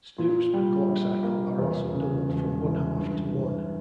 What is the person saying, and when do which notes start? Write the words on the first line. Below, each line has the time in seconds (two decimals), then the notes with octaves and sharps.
Snoops per clock cycle are also doubled from one half to one.
0.18 A#2
0.54 G3
0.89 A#1
1.23 A#3
1.59 E2
1.93 C#3
2.28 E1
2.63 E3
2.98 G2
3.33 E3